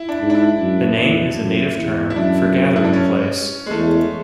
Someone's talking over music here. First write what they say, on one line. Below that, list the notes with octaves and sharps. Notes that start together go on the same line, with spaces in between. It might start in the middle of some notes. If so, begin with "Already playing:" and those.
The name is a native term for "gathering place".
Already playing: E4
D4
G#2
D4
E4
F#2
E2
F#2
E2
E4
F#2 D4
E4
D4
C#4
G#3
E2 A3